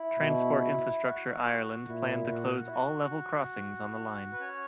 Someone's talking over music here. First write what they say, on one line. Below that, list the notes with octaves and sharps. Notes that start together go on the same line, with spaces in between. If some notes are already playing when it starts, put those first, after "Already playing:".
Transport Infrastructure Ireland planned to close all level crossings on the line.
Already playing: E4
B2
F#4
A#2 E4
F#4
E4
F#4
B4
C#4 C#5